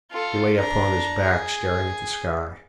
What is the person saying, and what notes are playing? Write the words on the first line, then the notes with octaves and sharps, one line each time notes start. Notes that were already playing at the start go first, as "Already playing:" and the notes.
He lay upon his back staring at the sky.
F4 A4
D4 A#5
G#4